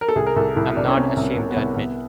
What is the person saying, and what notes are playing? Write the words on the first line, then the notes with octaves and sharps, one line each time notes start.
I'm not ashamed to admit.
A#4
A4
C2 G#4
A#4
C2 A4
C2 E4
C2 D4
C#4
C3 C4
C2
B3
C2
B3
C2
C2 B3